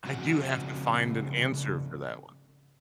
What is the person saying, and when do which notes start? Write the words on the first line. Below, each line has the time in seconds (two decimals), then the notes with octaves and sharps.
I do have to find an answer for that one.
0.05 C#3 F3 C4 F#4 F#5